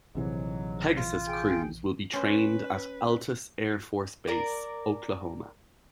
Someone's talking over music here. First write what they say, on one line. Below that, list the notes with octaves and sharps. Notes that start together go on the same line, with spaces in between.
Pegasus crews will be trained at Altus Air Force Base, Oklahoma.
A#1 G#2 C3 E3 F#3
F4
G#4 G5
C#4 B4 C5
A#4 D5